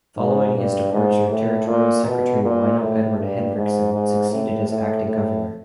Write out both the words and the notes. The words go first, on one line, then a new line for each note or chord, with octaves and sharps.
Following his departure, Territorial Secretary Waino Edward Hendrickson succeeded as Acting Governor.
G#2
G2
G#2
A2
A#2
B2
A#2
A2
G2
G#2
G#2
A2
A2
A2